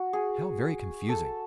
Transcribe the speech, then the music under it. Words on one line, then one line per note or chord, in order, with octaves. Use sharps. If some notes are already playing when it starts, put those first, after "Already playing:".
How very confusing!
Already playing: F#4
G#4
A4